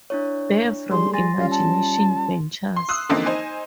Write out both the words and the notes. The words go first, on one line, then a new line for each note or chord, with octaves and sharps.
Bear from Imagination Ventures.
D4 E4 C#5
G3 G#4 C6
G#5 C6 A6 A#6
G3 C#4 F4 F5
A5
C6
C6 D#6 E6 F#6
D3 E3 F3 A#3 C4 D#4
D#4 C5 G#5